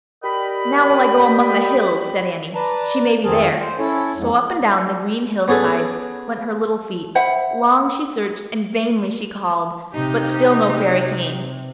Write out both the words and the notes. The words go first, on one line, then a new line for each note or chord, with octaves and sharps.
"Now will I go among the hills," said Annie, "she may be there." So up and down the green hill-sides went her little feet; long she searched and vainly she called; but still no Fairy came.
G4 A#4 D5 D#5 G5 B5
B4 D5 A5 A#5
F2 D#3 C4 G#4 A#4 A5
C5
C#4 E4 A4 C#5
F2 G#2
B3 C#4 G#4 A4 B4
C5 E5 F#5 B5
C3 D#4 G4